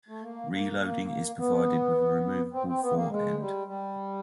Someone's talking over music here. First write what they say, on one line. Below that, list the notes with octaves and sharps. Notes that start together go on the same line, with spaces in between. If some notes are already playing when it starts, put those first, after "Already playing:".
Reloading is provided with a removable fore-end.
A3
A#3
A#3
A#3
B3
C4
C4
B3
A#3
G#3
G3
G3